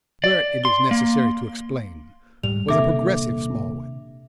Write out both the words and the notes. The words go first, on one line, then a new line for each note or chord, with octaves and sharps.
Bert, it is necessary to explain, was a progressive Smallways.
D5
C6
A#3
D2 G#2 G3 F7
D#1 C3 A#3 D4 A4 E5 D6